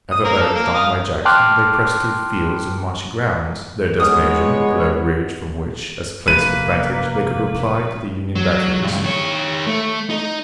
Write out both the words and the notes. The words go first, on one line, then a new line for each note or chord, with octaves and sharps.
Ever urged on by Jackson, they pressed through fields and marshy ground, their destination a low ridge from which, as a place of advantage, they could reply to the Union batteries.
D#6
A#3 A#4
A4
A#3
F5 D#6
G5 A5 C6 D6 F6 F#6
G1 G#3 B3 C#5 D#6 F6
F1 A3 A#3 B4 D#7
F#3
C#2 G2
D#3 C#5
A3
D#4 D#5